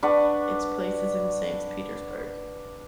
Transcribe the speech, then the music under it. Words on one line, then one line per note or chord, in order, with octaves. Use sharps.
Its place is in Saint Petersburg.
D4 B4 F#5 C#6